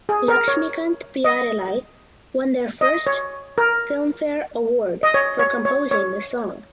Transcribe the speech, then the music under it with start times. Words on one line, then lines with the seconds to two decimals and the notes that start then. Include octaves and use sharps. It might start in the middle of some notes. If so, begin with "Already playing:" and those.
Laxmikant–Pyarelal won their first Filmfare award for composing this song.
0.09 G#4
0.28 A#4
0.48 C#5
1.24 D#5
2.81 D#5
3.07 C#5
3.58 A#4
5.03 D#5
5.14 C#5
5.39 C#5
5.65 C#5
5.91 C#5